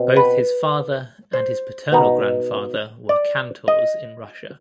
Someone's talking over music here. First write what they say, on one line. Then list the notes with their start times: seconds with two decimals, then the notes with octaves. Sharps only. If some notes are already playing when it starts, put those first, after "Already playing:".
Both his father and his paternal grandfather were cantors in Russia.
Already playing: B2 C4
0.16 B4
1.33 C5
1.92 B2 B3 D#4
3.09 D5
3.68 D#5